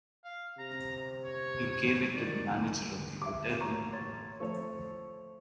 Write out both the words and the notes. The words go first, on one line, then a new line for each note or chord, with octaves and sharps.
He gave it to the manager of the hotel.
F5
C3 A#5
C#5
D#3 D5
G4 E5 D6
A1 A#3 A#5 C#6
C#5 C6 A6
F3 A3 C#5 C#6